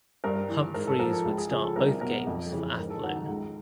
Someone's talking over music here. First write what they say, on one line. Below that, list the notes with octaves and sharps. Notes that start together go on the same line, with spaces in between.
Humphries would start both games for Athlone.
G2 A#4
E3
G#2 A#4
A4
F3 A#4
A4
C#2
G#4
C#3 F3 G#4
A4
C2 A#4
B2 F#3 A#4
F2 A4
C#3 E3
G#2 A#4
A4
D#3 F#3 F#4
D#4
C#2